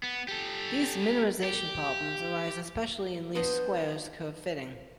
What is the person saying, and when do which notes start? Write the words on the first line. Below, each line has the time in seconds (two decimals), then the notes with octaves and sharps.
These minimization problems arise especially in least squares curve fitting.
0.03 B3
0.28 G4 A4
1.44 G4
3.35 B3 D4 C5 D#5